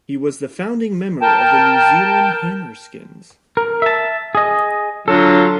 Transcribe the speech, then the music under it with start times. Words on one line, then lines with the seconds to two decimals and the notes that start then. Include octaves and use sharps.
He was the founding member of the New Zealand Hammerskins.
1.22 A#4 G5 A5
3.57 A#4
3.82 E5 A5
4.35 G#4 D#5
5.08 D3 F#3 F4 A4